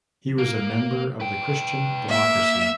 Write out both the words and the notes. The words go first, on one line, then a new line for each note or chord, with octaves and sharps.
He was a member of the Christian Democracy.
A#3
B4 G5
A#3 E5